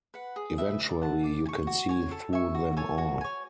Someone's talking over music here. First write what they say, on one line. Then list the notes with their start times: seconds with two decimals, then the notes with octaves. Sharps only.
Eventually you can see through them all.
0.14 B4 F#5
0.36 G#4
0.58 B4 E5
0.80 D5
1.02 F#5 A5
1.24 D5
1.45 G#5
1.49 C#6
1.67 F#4
1.89 C#5 G#5
2.11 A4
2.33 E5 G#5 C#6
2.55 F#4
2.77 A4 C#5 G#5
2.98 F#4
3.21 C#5 G#5